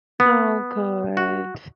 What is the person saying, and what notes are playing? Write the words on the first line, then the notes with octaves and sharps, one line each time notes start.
Oh, good.
B3
F#4